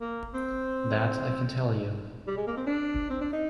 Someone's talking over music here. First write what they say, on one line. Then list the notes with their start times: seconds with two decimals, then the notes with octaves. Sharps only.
That I can tell you.
0.01 A#3
0.34 C4
2.27 G3
2.37 G#3
2.47 A#3
2.57 C4
2.66 D4
3.10 C4
3.21 D4
3.33 D#4